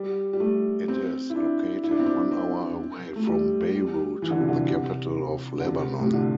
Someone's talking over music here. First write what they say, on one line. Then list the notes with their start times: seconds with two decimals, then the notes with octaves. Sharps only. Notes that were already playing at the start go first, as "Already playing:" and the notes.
It is located one hour away from Beirut, the capital of Lebanon.
Already playing: G3
0.33 G3
0.40 A3
0.88 C4
1.30 E4
1.36 D4
1.84 E4
1.91 D4
2.00 C4
2.06 D4
2.31 C4
3.16 A3
3.27 G3
3.75 G3
4.22 E3
4.30 D3
4.40 C3
4.48 D3
4.70 C3
5.60 D3
5.66 C3
5.99 A2
6.06 C3
6.14 D3